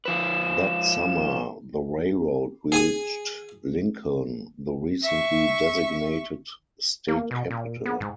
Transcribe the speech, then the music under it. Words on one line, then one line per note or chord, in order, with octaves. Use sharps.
That summer, the railroad reached Lincoln, the recently designated state capital.
F3 B4 E7
G#4 G#5 D#6
E5 C#6
A#3
B2
A#2
B3
G#2